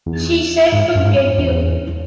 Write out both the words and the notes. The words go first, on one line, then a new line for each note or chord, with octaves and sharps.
She said to get you.
E2
G#2
F#2
G#2
E2